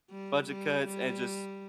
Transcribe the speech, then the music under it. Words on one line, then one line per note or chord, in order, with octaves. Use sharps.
Budget cuts, and just
G3
G3
G3